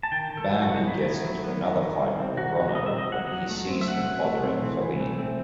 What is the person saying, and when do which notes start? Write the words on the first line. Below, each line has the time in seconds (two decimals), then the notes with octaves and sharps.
Bambi gets into another fight with Ronno when he sees him bothering Faline.
0.03 A5
0.12 D#3 G5
0.30 D#3
0.37 A4
0.49 F#3
0.62 F#4
0.68 B3
0.87 D#3 E4
1.06 D#3
1.25 F#3
1.44 B3
1.62 D#3
1.81 D#3
1.99 G3
2.19 C4
2.37 D#3 F#4
2.56 D#3
2.75 G3 D#5
2.86 E5
2.94 C4 D#5
3.12 F#3 F#5
3.31 F#3
3.50 A3
3.69 C4
3.81 E5
3.87 F#3 F#5
4.05 F#3
4.24 A3
4.43 C4
4.62 E3
4.81 E3
5.00 A3
5.18 C4